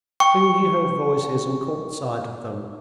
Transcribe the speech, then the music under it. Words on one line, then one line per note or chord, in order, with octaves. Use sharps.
Soon he heard voices and caught sight of them.
G5 C#6